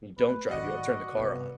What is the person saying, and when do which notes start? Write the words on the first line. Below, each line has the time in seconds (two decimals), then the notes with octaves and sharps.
and you don't drive, you don't turn the car on.
0.18 A3 B4
0.50 G#1 D#3 F#4 D5 D#5 F#5
1.17 G2 C3 B3